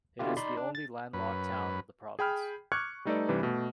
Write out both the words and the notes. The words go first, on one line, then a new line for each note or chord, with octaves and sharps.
It is the only landlocked town of the province.
B2 D3 E4 F4 G4
D#4 D5 B5 C6
D4
A6
F#2 B4
G#4 G5 B5 F6
C#6 D6 F6 F#6 G#6 C#7
G3 A3 D#4 A4 B4 D5
G2 C3 E3 G3
B2 A3